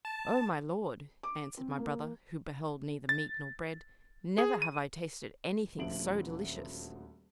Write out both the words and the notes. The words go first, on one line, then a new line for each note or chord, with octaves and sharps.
"Oh, my lord," answered my brother, who beheld neither meat nor bread, "never have I tasted anything so delicious."
A5
D6
C4
A#3
A6
G#4
D#7
D#1 D2 F3 E5 D7 F#7